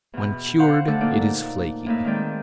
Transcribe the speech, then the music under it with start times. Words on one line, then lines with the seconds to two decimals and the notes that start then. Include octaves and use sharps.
When cured it is flaky.
0.13 E2 B2
0.59 C5 F5 F#5 C6
0.87 D3 A3 A4 E6
1.00 A#2 A#3 D#4 D5
1.86 A2 A#3 D#4 E5
2.05 D#3 G#3 C4 D5